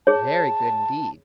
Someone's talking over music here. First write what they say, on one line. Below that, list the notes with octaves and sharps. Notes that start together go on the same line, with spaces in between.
"Very good indeed."
G#4 C#5 A5